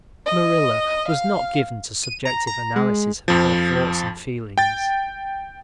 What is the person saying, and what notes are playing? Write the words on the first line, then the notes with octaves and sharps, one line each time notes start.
Marilla was not given to subjective analysis of her thoughts and feelings.
D#5
F5
D#7
A#5
A#5
G#3
F2 F3
G5 A6